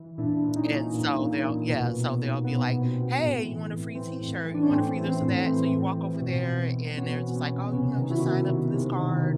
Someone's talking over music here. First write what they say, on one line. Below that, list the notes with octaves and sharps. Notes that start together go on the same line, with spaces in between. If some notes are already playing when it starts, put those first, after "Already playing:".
and so they'll yeah, so they'll be like, "Hey, you want a free t-shirt? You want a free this or that?" So you walk over there and they're just like, "Oh, you know, you just sign up for this card
Already playing: E3
A#2 D4 E4
A#2
C#4 D#4
A#2
A#2
A#2
A#2
B2
B2
B2
B2 B3
B2
C4
B2
A2
E3
A2
E3 C4
A2
E3
D4
C#4
A2 C4
E3
C4
A2
E3 C4
A2
E3
B2
B2
B2
B2 B3 C#4
B2
B3 C#4
B2
C3 B3 C#4
D#3
E4 F#4
C3
D#3
C3
D#3